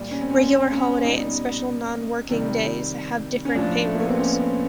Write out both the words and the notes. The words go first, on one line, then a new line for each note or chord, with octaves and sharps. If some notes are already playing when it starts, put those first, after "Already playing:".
Regular holiday and special non-working day have different pay rules.
Already playing: A#2 G3
C#4
C4
C#4
C4
C#4
B2 G3 D#4
C3 D#3 G3
C#4
A2 F3 D4
A3
A#3
B3
C4
C#4